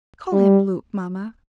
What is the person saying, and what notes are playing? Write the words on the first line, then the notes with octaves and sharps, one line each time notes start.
"Call him Luke, mamma."
G3